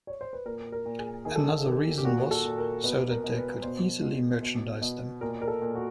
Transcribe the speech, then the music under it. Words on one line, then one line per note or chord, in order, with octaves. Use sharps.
Another reason was so that they could easily merchandise them.
C#5
C5
B4
A#2 A#4
A#4
A#2
G#4
D#3 G#4
A4
G#4
D#3 G4
G4
A#2 F#4
A4
A#2
A#4
B2 B4
A#4
B2
B4
B2 C5
B2
B2
B2
A#2 A#4
A#4
A4
A#2
F#4